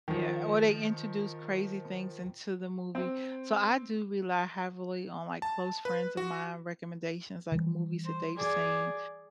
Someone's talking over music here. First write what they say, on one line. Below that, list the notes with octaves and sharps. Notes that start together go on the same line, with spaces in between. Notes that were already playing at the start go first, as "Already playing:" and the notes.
Yeah, or they introduce crazy things into the movie so I do rely heavily on my close friends of mine recommendations, like movies that they've seen.
D#3 F3
C4
A5
B4
F#4
D3 E3 G3
C5
G#4 D5